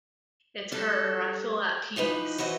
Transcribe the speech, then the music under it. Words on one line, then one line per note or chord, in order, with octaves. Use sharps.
it's her. I feel at peace."
G3 D4 A4
E3 F3 D#4 B4
E3 F#3 B4 C5 D#5